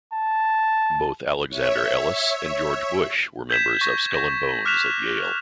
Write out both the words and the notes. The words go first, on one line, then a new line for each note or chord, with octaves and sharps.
Both Alexander Ellis and George Bush were members of Skull and Bones at Yale.
A5
C#5 E5
G6 G#6 B6 E7
C#6 G#6 A#6
A#6
D6 F6 F#6 B6 E7 F7